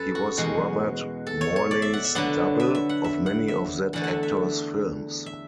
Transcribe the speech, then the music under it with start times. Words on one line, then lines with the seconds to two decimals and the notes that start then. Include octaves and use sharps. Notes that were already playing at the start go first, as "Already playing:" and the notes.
He was Robert Morley's double on many of that actor's films.
Already playing: F#2 A4 B4
0.15 F#4
0.37 E2 B2 G#3 F#4
1.27 A4
1.41 C#5
1.56 C#5
1.71 D5
1.82 E5
1.93 F#5
2.04 E5
2.15 D3 F#3 B3 D4 F#5
2.60 E5
2.75 E5
2.89 F#5
3.04 E5
3.26 F#5
3.48 E5
3.93 E2 D3 A3 F#5
4.04 E5 F#5
4.23 E5
5.26 E5